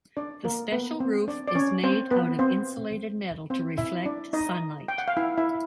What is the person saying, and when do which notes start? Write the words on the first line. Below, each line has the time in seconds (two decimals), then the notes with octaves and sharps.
The special roof is made out of insulated metal to reflect sunlight.
0.17 D4 D5
0.44 A#3 A#4
0.72 B3 B4
1.00 C4 C5
1.28 D4 D5
1.48 D5
1.55 C#4 C#5
1.83 C4 C5
2.11 B3 B4
2.39 C4 C5
3.50 C4 C5
3.78 E4 E5
4.06 D4 D5
4.33 D#4 D#5
4.88 G5
4.98 F#5
5.08 F5
5.17 E4 E5
5.38 E4 E5